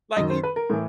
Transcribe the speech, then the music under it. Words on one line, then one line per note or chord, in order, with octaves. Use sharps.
Like, he
F#2 D#3 D#5
C5
B4
A#4
A2 E3